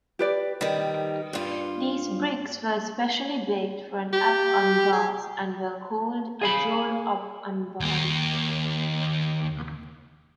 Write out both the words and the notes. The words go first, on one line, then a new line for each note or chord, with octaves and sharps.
These bricks were especially baked for ab anbars and were called "Ajor Ab anbari".
G4 B4 D5
D#3 G3 B4
G2 F4
G4
G#4
G#4 F5 B5
D#2 A#3